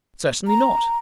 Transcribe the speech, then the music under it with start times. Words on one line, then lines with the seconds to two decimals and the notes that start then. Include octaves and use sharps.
"Certainly not!"
0.48 A#5